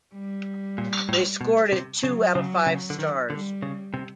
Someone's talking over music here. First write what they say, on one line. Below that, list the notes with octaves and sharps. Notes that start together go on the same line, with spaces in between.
They scored it two out of five stars.
G3
A#2
A2
B2
C3
C#3 F#3
C#3
C#3
D3
D#3
D3 G3
C#3
C3